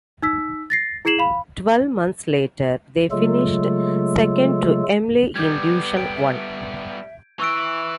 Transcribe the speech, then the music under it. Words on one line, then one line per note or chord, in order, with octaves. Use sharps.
Twelve months later they finished second to Emley in Division One.
D#4 E6 B6
A6 A#6 C7
E4 G#4 G#6 C7 E7 F#7
F5 B5
C#3 F#3 G#3 A3 F4 A4
G3 B3 D6 G6 G#6
G5 D7
E5
E3 E4 C#6 E6 F#6 D7